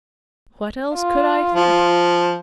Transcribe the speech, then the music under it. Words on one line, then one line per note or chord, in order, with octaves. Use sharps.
What else could I think?
F4
F3